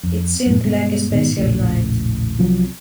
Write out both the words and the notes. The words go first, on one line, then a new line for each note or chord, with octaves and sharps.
It seemed like a special night.
F2
F#2 A2
G2 B2 G#3
G#2 B2 D3 D#3
E1 A#1 A2 C#3
C2 C3 F3 F#3